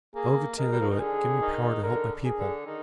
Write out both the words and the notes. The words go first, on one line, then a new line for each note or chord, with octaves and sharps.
O Getanittowit, give me power to help my people.
A#3 G#4
G#3 A#4
G3
F3
D#3
D3 G#4
D#3
D3 A#4
G#4
D3
D#3